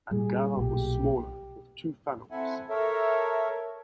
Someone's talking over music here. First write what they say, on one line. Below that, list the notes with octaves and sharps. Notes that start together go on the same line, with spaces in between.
"Angara" was smaller, with two funnels.
A#2 G3 G#4
B1 A#2 G4
C4 E4 A4 E5 F#5 G#5
A4 A#4 C#5 E5